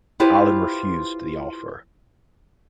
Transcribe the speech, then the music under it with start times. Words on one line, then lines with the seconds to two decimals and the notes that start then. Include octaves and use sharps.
Allen refused the offer.
0.20 E4 F4 G4 B4 C5